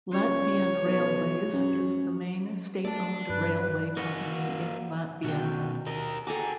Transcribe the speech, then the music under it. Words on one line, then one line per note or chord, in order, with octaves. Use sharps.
Latvian Railways is the main state-owned railway company in Latvia.
C#2 C#5
B1
F#2
A3 D5 A5
G2 B4 F#6
A#3 F#4 D#5 C#6
B2 D#3 F#4 G5
G4 A#4 D#5
F#4 G#4 A4 A#5 D6